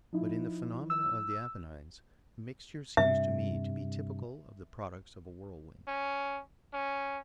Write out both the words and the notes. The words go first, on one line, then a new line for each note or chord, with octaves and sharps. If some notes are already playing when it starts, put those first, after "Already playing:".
But in the phenomenon of the Apennines, the mixture seems to me to be typical of the products of a whirlwind.
F3 D#4 E4
E6
G2 C3 E5
C#4
C#4